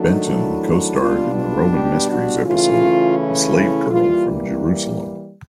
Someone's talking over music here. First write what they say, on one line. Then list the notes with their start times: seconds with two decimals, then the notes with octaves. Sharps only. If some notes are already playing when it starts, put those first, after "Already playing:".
Benton co-starred in the Roman Mysteries episode "The Slave Girl from Jerusalem".
Already playing: D#3 F#3 A3 D4 D#4
0.26 E4
1.00 B2 G3 B3 D4 F4
1.36 F4
1.72 G4
2.09 F#4
2.45 C#3 E3 A3 C#4 F4
3.18 E4
3.54 E4
3.91 E3 G3 A#3 F4